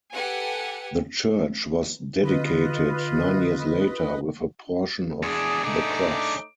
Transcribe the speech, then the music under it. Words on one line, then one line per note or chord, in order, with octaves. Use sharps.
The church was dedicated nine years later, with a portion of the cross.
G4 A4 B4 F#5 G#5
D3 F4 B4 D#5
E2 D4 G#4
A3 D4 D#4 G#4 D6